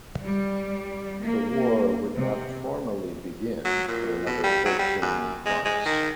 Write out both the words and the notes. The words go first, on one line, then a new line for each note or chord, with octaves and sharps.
The war would not formally begin for another thirteen months.
G3
A#3
C3
F#3
A#2
B2
G3
F#3
G3
F#2
G#3
G#3
D#3